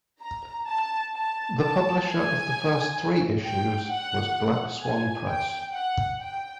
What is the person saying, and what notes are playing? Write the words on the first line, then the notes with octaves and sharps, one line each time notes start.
The publisher of the first three issues was Black Swan Press.
A#5
A5
A5
A5
G#5
G5
F#5
G#5
G5
F#5
G5